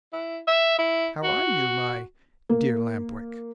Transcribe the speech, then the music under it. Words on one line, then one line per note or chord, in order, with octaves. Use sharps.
"How are you, my dear Lamp-Wick?"
E4
E5
E4
F#4
A#3